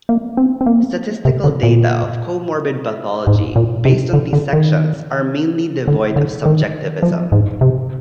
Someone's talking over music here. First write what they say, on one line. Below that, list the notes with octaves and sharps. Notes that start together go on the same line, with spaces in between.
Statistical data of comorbid pathology, based on these sections, are mainly devoid of subjectivism.
A#3
C4
C4
A#3
C3
D3
A#2
G#2
A#2
C3
D3
D3
D#3
D3
D3
D#3
F3
G#2
C3